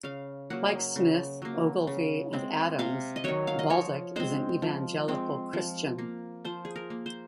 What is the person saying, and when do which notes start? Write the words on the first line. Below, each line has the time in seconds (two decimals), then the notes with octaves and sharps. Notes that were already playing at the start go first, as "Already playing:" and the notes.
Like Smith, Ogilvy and Adams, Baldock is an evangelical Christian.
0.03 C#3 F5
0.50 F#3 A#3 F#5
0.96 C#3
1.42 F#3 A#3
1.87 C#3
2.33 G#3 C4
2.79 C3 F5
3.16 D#5
3.24 D#3 F#3 C#5
3.47 F5
3.59 D#5
3.70 F3 C#5
4.16 G#3 C4 C5
4.62 F3
5.08 G#3 C4
5.53 F3
5.99 A#3
6.45 F3 C5
6.65 G#4
6.76 A#4
6.90 A#3
7.06 C5